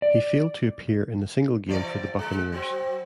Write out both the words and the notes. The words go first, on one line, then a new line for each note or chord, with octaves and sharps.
He failed to appear in a single game for the Buccaneers.
D5
C3 E3 D5
G#3
F#3 C4